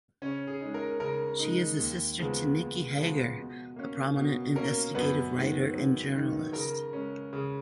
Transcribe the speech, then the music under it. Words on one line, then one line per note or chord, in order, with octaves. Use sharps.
She is a sister to Nicky Hager, a prominent investigative writer and journalist.
C#3 C#4 C#5
G#4
G#3 D#4
A#4
C#3 A#4
G#3 D#4
D#2
C#3 F3 G#3 B3
D#2
C#3 F3 G#3 B3
B2
A#3 C#4
B2
A#3 C#4 A#4
F#2 B3 B4
D#3 G#3 D#4
F#2
D#3 G#3 D#4
C#3 A#4
G#3 C#4
C#3